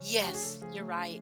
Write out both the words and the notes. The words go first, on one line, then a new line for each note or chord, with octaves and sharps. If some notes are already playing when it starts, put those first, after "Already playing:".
Yes, you're right.
Already playing: C#3 F3
A3
G4
D4 F#4
G#4
C#3 A4
F3 G#4
A3
D4